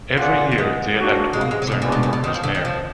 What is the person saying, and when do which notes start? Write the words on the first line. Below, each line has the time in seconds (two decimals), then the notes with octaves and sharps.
Every year, they elect one of their number as mayor.
0.17 A#2 F4 G#4 D5 F#5
0.52 F#3
0.58 G#3
1.00 A#3 D4 F#4
1.33 G#3
1.41 A#3
1.51 G#3
1.62 F#3
1.67 D3
1.72 B2
1.82 A#2 G#3 B3 D4 F#4 D5
1.92 B2
2.03 A#2
2.13 B2
2.24 D#3
2.34 F3
2.43 D3
2.55 D#3
2.65 F3